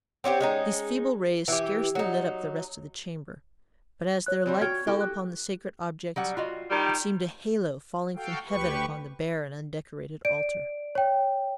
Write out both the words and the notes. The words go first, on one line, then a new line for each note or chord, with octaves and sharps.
These feeble rays scarcely lit up the rest of the chamber, but as their light fell upon the sacred objects it seemed a halo falling from heaven upon the bare and undecorated altar.
C4 C#4 F#4 G4
G#3 C#4 D#4
E3 G4
F#3 D#4
C#5 F#6
F3 G3 C4
F#4 C#5 G5 F6 G#6
E4 F#4 G4 A4
F#6
F#3 G3 F#5
F4 F#4 D#5
D#3 G3
F#4 A4 F5 G5
D2 G4 B4 C#6
D5 D7
C#5 G5